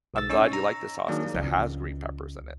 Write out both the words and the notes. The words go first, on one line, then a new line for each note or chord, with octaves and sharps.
I'm glad you like the sauce ‘cause it has green peppers in it."
B1 E6 A6
C#4 D#4 C#6 E6
A#5
D#3 F#3 A#3 D4 G#4 D5
C#2